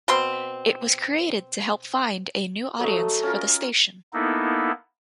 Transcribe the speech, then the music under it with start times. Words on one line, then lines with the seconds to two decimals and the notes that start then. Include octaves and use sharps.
It was created to help find a new audience for the station.
0.08 B2 C4 C6
2.80 F#3 A3 A4 D#5
3.23 C#4 F4 A#4
4.14 A#3 B3 D#4 E4 A4